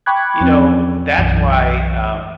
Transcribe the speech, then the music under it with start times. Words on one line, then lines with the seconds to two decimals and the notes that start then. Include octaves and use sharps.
you know, that's why, um,
0.06 G5 B5 C#6 D6 F#6 G#6
0.41 E2 F3 C4 C#4
1.18 B1 F#2 E3